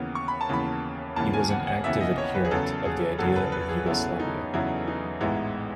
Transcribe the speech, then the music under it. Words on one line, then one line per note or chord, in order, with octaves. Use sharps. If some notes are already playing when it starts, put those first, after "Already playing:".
He was an active adherent of the idea of Yugoslavia.
Already playing: D#2 C#3 E3 B3
C#6
B5
A5
D#2 C#3 E3 B3 B5
D#2 C#3 E3 B3 A5
G#5
F#5
F#5
D#2 C#3 E3 B3 E5
D#5
C#5
B4
G#4
E2 C#3 F#3 B3 A4
G#4
E2 C#3 F#3 B3 A4
B4
B4
G#4
E2 C#3 F#3 B3 E4
D#4
E2 C#3 F#3 B3 E4
D#4
A1 G#2 E3 G#3 B3 E4